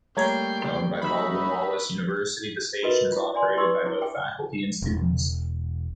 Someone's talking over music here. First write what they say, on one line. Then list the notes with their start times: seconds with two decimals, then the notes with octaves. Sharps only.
Owned by Baldwin Wallace University, the station is operated by both faculty and students.
0.17 G3 A3 A#3 C#5 G5 A#5 G#6 C7
1.02 D#4 F#4 E5 B5
2.83 F4 F#4 A#4 B4 D#5 E5
3.12 E4 F4
3.35 D5 E5 G#5 C6
3.57 E4 B4 E5 C6 C#6 E6
3.86 E4 C#5 D6
4.01 E5 G5 D6
4.82 E1